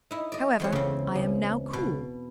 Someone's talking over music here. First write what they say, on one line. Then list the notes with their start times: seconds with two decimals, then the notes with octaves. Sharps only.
However, I am now cool.
0.11 D#4 E4
0.32 D5 D#5
0.60 E2 C4 C#5
0.72 C#2 C#3 C4
1.15 C#2
1.73 B2